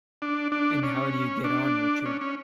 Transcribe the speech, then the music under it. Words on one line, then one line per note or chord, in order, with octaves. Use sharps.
And how do you get on, Richard?
D4
D4
C#4
D4
C#4
C#4